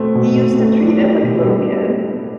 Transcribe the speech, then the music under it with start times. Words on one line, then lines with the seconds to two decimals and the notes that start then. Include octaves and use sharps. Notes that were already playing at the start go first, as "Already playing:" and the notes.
He used to treat it like a little kid.
Already playing: B2 A3 C4
0.15 B2
0.36 B2
0.58 A3
0.80 D4
1.02 G4
1.23 B2
1.45 G3